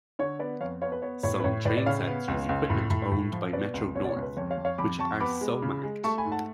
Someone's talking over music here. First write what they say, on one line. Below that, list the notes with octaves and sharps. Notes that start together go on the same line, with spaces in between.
Some train sets use equipment owned by Metro-North, which are so marked.
D3 C#5
B3 B4 D5
F2 C#5 F5
B3 C#5 F5
B4
B3 C#5
A2 C#5
B4
A2 C#5
A2 B4 D5
D5
C#3 C#5 F5
B3
C#2
C#2
A2
A2
A2
F3
B2 B4 D5
C#2
B2 C#5
D5
C#5
C#2
B4
F2 C#5
C#5 F5
F2
C#5 F5
F2 B5 D6
F2 A5 C#6
B3 B5 D6
G#3
C#3
G#3
A3 A5 C#6
G#5 B5
G#2
F#5 A5